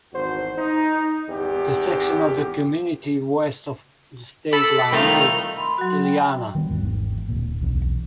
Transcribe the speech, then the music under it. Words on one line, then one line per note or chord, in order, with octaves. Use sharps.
The section of the community west of the state line is Illiana.
G#1 E2 F#4 C5
D#4
G#1 E2 B3 G4
A4 B5 D6
C2 D#3 A3 C4 D#4 F4 F6
B5 C6
F#3 F#4
G5
D#3 G3 B3
G#1 E2 G#2
D1 A#2
B1 E2